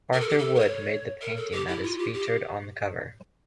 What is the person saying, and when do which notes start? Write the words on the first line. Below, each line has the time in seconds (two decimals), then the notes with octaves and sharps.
Arthur Wood made the painting that is featured on the cover.
0.13 A#4
0.21 A4
0.29 G4
0.38 A4
0.55 A#4
0.59 C#5
1.21 A#4
1.37 A4
1.52 G4
1.68 E4
1.83 F4
1.99 G4
2.14 G4